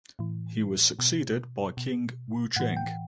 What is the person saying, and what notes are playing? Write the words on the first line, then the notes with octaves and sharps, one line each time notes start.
He was succeeded by King Wucheng.
A2 E3
B2
B2
A2 E3 F#5
G5